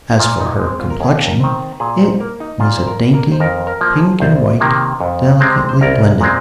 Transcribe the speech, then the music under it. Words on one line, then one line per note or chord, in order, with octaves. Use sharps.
As for her complexion, it was a dainty pink-and-white, delicately blended.
D#4
A#2 F4
D#4
G#3 C4
F4
A#4
D#2 G#4
A#4
D#3 C4
A#2 G#4
C5
A#3 A#4
D#4
A#2 F4
C5
A#4
A#3
A#4
C5
F2 A#4
A#4
F3 A#3
G#4
C2 C5
C3 D#3 A#3
F2
C3 G#3 C4
C5
C2 A#4
A#2 G#3 C4